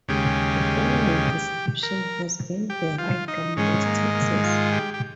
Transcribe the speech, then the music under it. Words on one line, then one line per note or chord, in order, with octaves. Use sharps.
The following description has been derived from these texts.
D#2 C#3 G#3 G4
A#4
G4
F4
D#4
G#2 D#3 G#3 C#4
A#3
A#3
F4
G4
G4